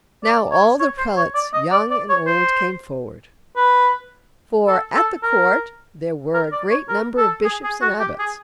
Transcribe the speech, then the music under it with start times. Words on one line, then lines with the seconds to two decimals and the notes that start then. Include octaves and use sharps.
Now all the prelates, young and old, came forward; for at the court there were a great number of bishops and abbots.
0.24 D5
0.52 C#5
0.80 C#5
0.98 C5
1.16 C#5
1.34 D5
1.53 D#5
1.71 D5
1.91 D5
2.09 C#5
2.27 C5
3.56 B4
4.67 A4
4.95 A4
5.23 A#4
6.34 A#4
6.52 D5
6.70 C#5
6.89 A#4
7.17 A4
7.45 G#4
7.63 G#4
7.81 F#4
7.99 G4
8.19 G#4